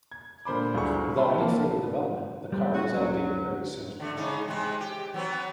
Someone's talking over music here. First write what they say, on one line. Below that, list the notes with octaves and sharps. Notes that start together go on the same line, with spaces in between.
Without any further development the car was outdated very soon.
G#6
A#2 D3 C5 B5 D6
G1 D2 D3 E4 G#4 C#6
G5 A5 B5 C6
A#3 A5
G3
C#4 F#4
D2 F#3
D3 A3
G#2 C#3 D#4
C3 G#3 C4
G4
F#3 B3 C4